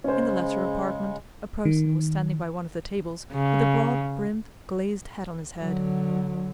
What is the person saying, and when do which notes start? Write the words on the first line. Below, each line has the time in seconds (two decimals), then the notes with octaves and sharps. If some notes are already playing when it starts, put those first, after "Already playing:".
In the latter apartment a person was standing by one of the tables with a broad-brimmed glazed hat on his head.
0.04 C#3 G#3 C#4 C5
1.65 D#3
3.33 C#3
5.61 D3 F#3